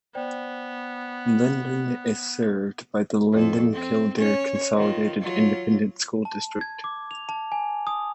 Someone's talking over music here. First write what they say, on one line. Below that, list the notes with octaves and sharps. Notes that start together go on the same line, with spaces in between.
Linden is served by the Linden-Kildare Consolidated Independent School District.
B3 C5 D5 G5
F2 A4
C4
C#4 C#5
D#3 F4
F#3 F4
A5
G#6
D6
F7
A5
G#5
D#6